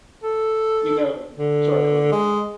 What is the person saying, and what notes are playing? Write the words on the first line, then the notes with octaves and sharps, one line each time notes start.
you know, sorry, I wasn't like,
A4
D3
G#3